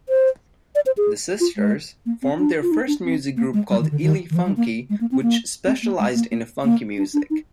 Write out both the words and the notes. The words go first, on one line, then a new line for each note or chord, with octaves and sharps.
The sisters formed their first music group called Elefunky, which specialized in funky music.
C5
D5
C5
G#4
F4
G#3
A#3
C4
D4
F4
D#4
D4
C4
A#3
G#3
G3
D#3
D3
D#3
D#3
F3
G3
A#3
G#3
A#3
C4
A#3
C4
A#3
G#3
A#3
A#3
A#3
D4
D4
D#4